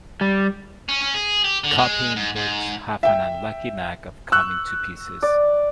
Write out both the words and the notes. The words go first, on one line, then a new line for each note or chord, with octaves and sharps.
Copying-books have an unlucky knack of coming to pieces.
G3
C#4
C#4
G#4
G4
D3
G#3
G#2
G#2
E5 G5
C#6 E6 F#6
D5